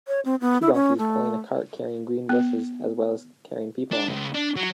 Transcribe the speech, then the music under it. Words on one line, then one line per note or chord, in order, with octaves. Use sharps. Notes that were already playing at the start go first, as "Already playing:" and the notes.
Two donkeys pulling a cart, carrying green bushes, as well as carrying people on it.
C#5
C4
B3
E4
C#4
A3
B3
D4
C#2
D4
F#3